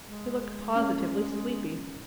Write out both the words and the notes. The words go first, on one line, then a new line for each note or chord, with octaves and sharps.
He looked positively sleepy.
G#3
C#4